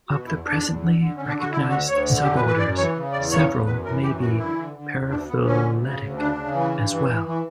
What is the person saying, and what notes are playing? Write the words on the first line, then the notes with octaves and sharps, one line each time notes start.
Of the presently recognized suborders, several may be paraphyletic, as well.
B2 F#4
E2 E4
E2 D4
E2
D3
D3
D3 C#4
D4
D3
F#4
D3 E4
D2 F#4
D2 C#5
D3
F#2 G4
B4
E3
B4
F#2 D5
E3 C#5
C#3
E2 D5
C#3 C#5
E2
F#2 B4
E3 A#4
F#2 G4
E3 F#4
D3 E4
D3
D3
E2
D2 D4
D2 B3
D3 C#4
D2
C#3
D2
C#3 D4
C#3
E3
G2
E3
E3
E3